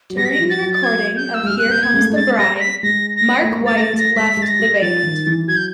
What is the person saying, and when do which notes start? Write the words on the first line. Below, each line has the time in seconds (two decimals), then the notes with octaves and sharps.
During the recording of "Here Comes the Bride," Mark White left the band.
0.10 F#3
0.17 G3 A#6
0.25 B6
0.31 A#6
0.39 F3
0.50 A6
0.61 F#3
0.73 A6
0.83 G#6
1.17 G6
1.34 E6
1.43 G#3
1.47 G3 F6
1.58 F#6
1.67 A#3 G6
1.83 A#3 G#6
1.94 G#3
2.00 A3
2.10 A3
2.16 G#3 A6
2.38 G3 A#6
2.60 B6
2.83 G#3 A#6
3.16 A#6
3.42 A3
3.49 A#3
3.60 G#3
3.66 A6
3.72 A3
3.77 A#6
3.82 A6
3.94 A3
3.99 A#6
4.15 G#3 B6
4.37 G#3
4.42 A6
4.48 A#6
4.60 G3
4.82 F3 A6
5.03 D#3
5.27 E3
5.48 F#3 G#6
5.57 G6